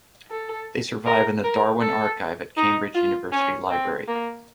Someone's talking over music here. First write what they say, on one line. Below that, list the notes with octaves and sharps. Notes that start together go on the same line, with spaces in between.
They survive in the Darwin Archive at Cambridge University Library.
A4
A#4
A#4
A4
D#4
F4
C#4
C4
A#3